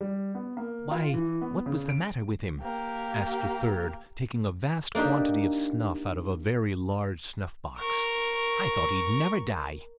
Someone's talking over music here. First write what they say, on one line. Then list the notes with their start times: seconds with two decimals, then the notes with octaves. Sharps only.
"Why, what was the matter with him?" asked a third, taking a vast quantity of snuff out of a very large snuff-box. "I thought he'd never die."
0.01 G3
0.35 B3
0.57 A#3
0.91 F4
1.14 E3
1.41 B3
1.66 C#3
1.89 D7
2.62 A#3 G4
4.95 A#3 D4 D#4 G4
7.79 A#4 C#6